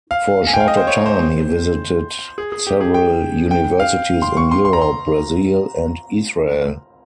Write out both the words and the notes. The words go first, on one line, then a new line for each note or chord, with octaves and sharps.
For a shorter time, he visited several universities in Europe, Brazil and Israel.
F5
G#5
G5
F5
D#5
C5
C#5
C5
G#4
G#4
G4
G#4
G5
G5
F5
C6
C#6
C6
C6
A#5
C6